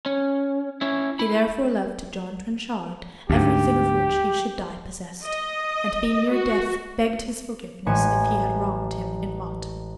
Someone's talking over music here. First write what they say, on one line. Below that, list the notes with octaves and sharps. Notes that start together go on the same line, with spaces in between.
He therefore left to John Trenchard everything of which he should die possessed, and being near death begged his forgiveness if he had wronged him in aught.
C#4
C#4 E4
E4 B5
D2 G#2 G4
D#5
F#4
A1 G#3 B4 G#5 C#7 E7